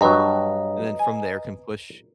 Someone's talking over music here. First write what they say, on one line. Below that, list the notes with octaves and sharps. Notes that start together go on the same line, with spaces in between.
And then from there, can push,
G2 F#3 B4 D#5 A#5
G#5